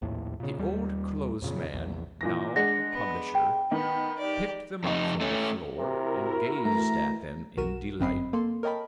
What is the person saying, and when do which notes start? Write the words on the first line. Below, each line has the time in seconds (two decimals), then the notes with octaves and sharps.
The old-clothes man, now a publisher, picked them up from the floor and gazed at them in delight.
0.02 A#1 D#2 A2
0.40 A#2 C#3
0.59 D#2 G3
1.42 F2 A#2 C#3
1.74 A#1 E2
2.21 A#2 E3 A#6
2.56 G#3 D4 F#5 A#6
2.92 B3
3.35 G5
3.71 D#3 B3 D#4
4.19 G4 D5
4.84 F2 D#4
5.21 A3 C#4
5.78 C3 E4 F#4 A#4
6.65 E3 A3 A#5
7.57 B1 F#4 A#4 D#7 E7
8.00 G1 F#2 C4 D#5 B5 C7
8.33 A#3 A4 C6
8.63 A#4 C#5 D#5 G5 A5 B5